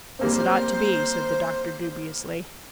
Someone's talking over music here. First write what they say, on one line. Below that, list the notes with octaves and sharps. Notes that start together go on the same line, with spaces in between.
"As it ought to be," said the doctor dubiously.
G3 A#3 C4 C5